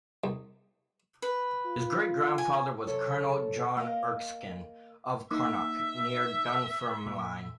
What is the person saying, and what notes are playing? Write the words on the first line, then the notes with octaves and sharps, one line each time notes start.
His great-grandfather was Colonel John Erskine of Carnock, near Dunfermline.
C2
B4
F4
G#5
F#2 C3 A4 C#5
A#3 A#4 D#5 F5
A#3 D#4 E5
A#2